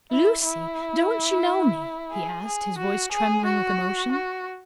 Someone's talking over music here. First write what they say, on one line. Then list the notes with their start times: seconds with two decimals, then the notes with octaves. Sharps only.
"Lucy! don't you know me?" he asked, his voice trembling with emotion.
0.12 E4
0.44 E4
2.12 G#4
2.46 G#4
2.78 F#4
3.12 G#4
3.45 F#4
4.12 F#4